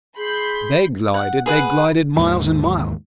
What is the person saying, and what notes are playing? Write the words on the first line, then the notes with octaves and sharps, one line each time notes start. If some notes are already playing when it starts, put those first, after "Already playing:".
They glided--they glided miles and miles.
G#4 B5 C6 G6
F#5
G#4 B4 F#5
D#2 G#2 D#3 E3